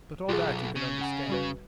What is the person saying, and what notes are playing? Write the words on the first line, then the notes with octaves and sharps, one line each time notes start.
But all that you can understand.
B1 F4 G#4
C#3
F#5 G#5
G3 F#4 B4